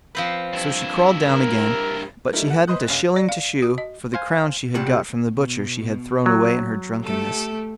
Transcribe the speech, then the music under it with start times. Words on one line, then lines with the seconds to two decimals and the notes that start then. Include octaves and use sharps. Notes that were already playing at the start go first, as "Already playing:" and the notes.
So she crawled down again, but she hadn't a shilling to shew, for the crown she had got from the butcher she had thrown away in her drunkenness.
0.15 F3 C4 B4
0.53 G2 E4
1.27 A#4
2.33 G3 A3 D#4 E4 A4 A#4
2.47 A4 F#5
2.67 B4 C5 D#5 C6 D#6 F#6
2.88 F#1 C2 C#4 F5
3.16 D5
3.29 F5
3.62 F#4
3.78 D#5
4.14 C5 F5 G#5
4.75 C#2 C3 G3 F#5
5.33 B2
6.26 F#3
7.03 A3 G4 A4